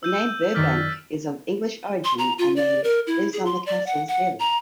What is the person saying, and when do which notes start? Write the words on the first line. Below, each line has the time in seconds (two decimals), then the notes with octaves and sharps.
The name Burbank is of English origin and means "lives on the castle's hill".
0.03 E6 G6 D#7
0.55 F#2 D#3 D5 F6 A6 B6
2.04 C6
2.18 A#5
2.38 F4
2.56 D5
2.84 A#4
3.07 E4
3.33 G#4
3.45 C6
3.66 D5
3.87 F#5
4.08 F#5
4.40 A#5